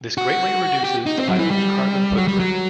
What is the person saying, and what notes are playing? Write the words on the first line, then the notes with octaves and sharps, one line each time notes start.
This greatly reduces the island's carbon footprint.
F#4
G4
D#4
C4
F#3
E3
G3
F#3
G3
F#3